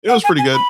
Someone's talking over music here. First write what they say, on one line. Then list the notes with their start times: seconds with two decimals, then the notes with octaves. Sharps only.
it was pretty good.
0.09 F#5
0.24 G#5
0.39 G#5
0.54 B5